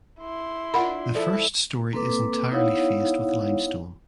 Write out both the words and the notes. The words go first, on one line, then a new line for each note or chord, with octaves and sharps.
The first story is entirely faced with limestone.
E4 C6
D4 F4 A#4 F#5 B5
F3 E4 A4 D5
A#3 C4 A4 B4 D6
B3 D#4 E4 C#5 F5 F#5